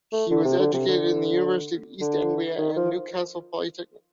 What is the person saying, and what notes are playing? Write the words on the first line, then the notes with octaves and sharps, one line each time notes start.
He was educated at the University of East Anglia and Newcastle Polytechnic.
A3
D3
C3
D3
C3
D3
D3
D#3
F3